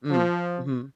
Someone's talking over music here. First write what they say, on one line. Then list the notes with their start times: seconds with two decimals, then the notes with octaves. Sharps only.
Mm, mhm.
0.11 F3